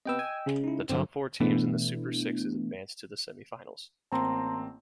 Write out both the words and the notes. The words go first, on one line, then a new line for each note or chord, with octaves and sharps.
The top four teams in the Super Sixes advanced to the semi-finals.
C3 B3 D#5 G5 E6
G#5
C#3 G#3
D#4 E4
G2 D3 F#3 C4
B2 E3 A3 B3 D4 E4
A1 A#3 C4 A5 A#5 C6